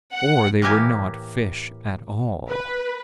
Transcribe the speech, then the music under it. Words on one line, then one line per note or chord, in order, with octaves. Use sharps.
Or they were not fish at all.
F#5
A2 E3 A#3 G4 G#5
B4